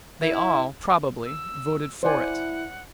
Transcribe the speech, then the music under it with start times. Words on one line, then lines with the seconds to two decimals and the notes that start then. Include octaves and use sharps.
They all, probably, voted for it.
0.22 E4
1.26 E6
2.03 E4 C5 D5 F#5 G#5